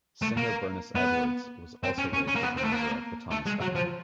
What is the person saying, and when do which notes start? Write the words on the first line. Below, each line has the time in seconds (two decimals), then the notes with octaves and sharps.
Singer Bernice Edwards was also raised as a member of the Thomas family.
0.22 A3
0.37 A#3
0.95 B3
1.84 C4
1.98 C#4
2.13 C#4
2.28 C#4
2.35 A#3
2.43 B3
2.58 C4
2.65 A3
2.72 A#3
3.31 A3
3.46 G#3
3.60 F#3
3.75 F3